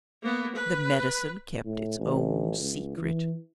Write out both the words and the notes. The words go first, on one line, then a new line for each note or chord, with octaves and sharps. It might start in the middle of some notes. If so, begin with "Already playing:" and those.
The medicine kept its own secret.
A#3 B3
B4
A2
A1
C#2
E3